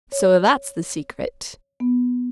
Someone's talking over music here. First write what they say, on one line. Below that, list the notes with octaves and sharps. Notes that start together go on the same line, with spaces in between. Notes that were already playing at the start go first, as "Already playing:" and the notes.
So that's the secret.
C#5
B3